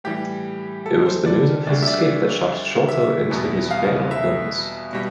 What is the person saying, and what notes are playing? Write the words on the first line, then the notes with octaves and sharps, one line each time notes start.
It was the news of his escape that shocked Sholto into his fatal illness.
A2 E3 G3 G4
A4
C5
D5
D2 D3 G3 D5
E5
D5
E5
E2 B2 G3
F5
E5
B2 G3